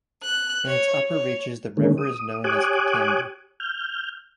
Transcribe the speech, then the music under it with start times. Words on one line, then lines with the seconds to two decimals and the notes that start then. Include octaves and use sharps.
In its upper reaches the river is known as Katanga.
0.23 F#6
0.67 C#5
1.04 C#5
1.77 D3 D#3 G#3 A#3 C#4
1.98 D#6
2.44 G4 C#5 G#5 D6 D#6 F#6
3.60 F6 G6